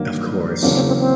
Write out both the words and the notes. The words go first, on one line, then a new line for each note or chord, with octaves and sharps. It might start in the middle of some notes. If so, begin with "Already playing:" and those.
Of course.
Already playing: G2 D#3 F#3 A#3
E2 C#3 F#3 A#3 C4 D4
C4
C4
C4